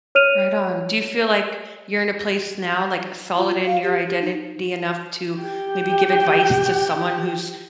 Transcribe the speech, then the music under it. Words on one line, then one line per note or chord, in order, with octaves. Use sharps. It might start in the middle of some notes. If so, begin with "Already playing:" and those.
Right on. Do you feel like you're in a place now, like, solid in your identity enough to maybe give advice to someone who's
C#5 F6 D#7 F7
F4
F5
G4
G4
D#4
G4 G5